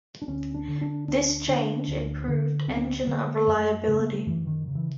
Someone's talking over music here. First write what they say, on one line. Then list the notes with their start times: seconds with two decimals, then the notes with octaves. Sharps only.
This change improved engine reliability.
0.22 D4
0.27 D2 C#4
0.54 D4
0.68 D3
0.81 D4
1.08 D2 D4
1.47 D3 D4
1.88 D2
2.28 D3
2.67 D2 C4
2.77 C#4
2.85 C4
3.07 D3 A#3
3.47 F#2 A3
3.88 C#3 A3
3.99 A#3
4.12 A3
4.27 F#2 E3
4.47 D#3
4.67 C#3
4.75 E3